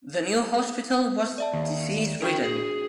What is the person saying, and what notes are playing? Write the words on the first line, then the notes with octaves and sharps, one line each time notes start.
The new hospital was disease ridden.
D5 E5 A5
D#2
D4 F#4 A#4 G5
G#4